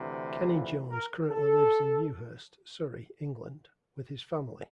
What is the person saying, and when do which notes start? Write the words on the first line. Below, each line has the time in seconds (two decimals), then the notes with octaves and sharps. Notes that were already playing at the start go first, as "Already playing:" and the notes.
Kenney Jones currently lives in Ewhurst, Surrey, England, with his family.
Already playing: D2 C3 E3
0.49 F4
0.90 A#4
1.31 A4